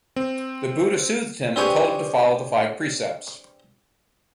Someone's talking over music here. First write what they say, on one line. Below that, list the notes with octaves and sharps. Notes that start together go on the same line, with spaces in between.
The buddha soothed him and told him to follow the Five precepts.
C4
C4 D4 G4 G#4 B4 C#5